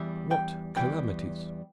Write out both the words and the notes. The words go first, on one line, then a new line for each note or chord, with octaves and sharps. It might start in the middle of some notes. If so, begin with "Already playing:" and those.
What calamities?
Already playing: E2 E3 G3 E5
G5
E2 E3 G3 G5